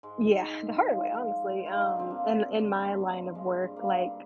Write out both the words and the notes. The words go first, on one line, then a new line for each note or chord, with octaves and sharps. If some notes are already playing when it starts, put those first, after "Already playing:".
Yeah, the hard way, honestly. Um, in in my line of work, like,
G#2 G#3
G#2
G#2
F3
F3
G#2
G2 F4
D#4
D4
D3 C4
A#3
D3
D3
G2
G2
G2 G#3
G2
A#3
G2